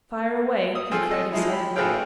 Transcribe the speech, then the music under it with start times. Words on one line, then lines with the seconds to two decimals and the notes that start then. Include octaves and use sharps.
"Fire away!" he cried excitedly.
0.75 D#6
0.91 F3 C4 F4 G#4 A4
1.11 A4 D#5
1.32 F3 G#3 D#4 E4
1.49 G4 B5
1.76 A1 A3 G#4 B4 F5 G5